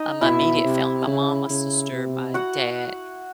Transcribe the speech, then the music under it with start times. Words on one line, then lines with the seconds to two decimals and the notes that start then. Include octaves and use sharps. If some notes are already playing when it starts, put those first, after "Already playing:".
uh, my immediate family, my mom, my sister, my dad,
Already playing: D#4 D#5
0.21 B2 E4 E5
0.64 C3
1.07 C#3
1.50 C#3
1.92 C3
2.34 F#4 F#5